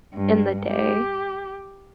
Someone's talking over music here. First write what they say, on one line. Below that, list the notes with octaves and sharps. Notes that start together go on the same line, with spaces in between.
in the day,
G2
G4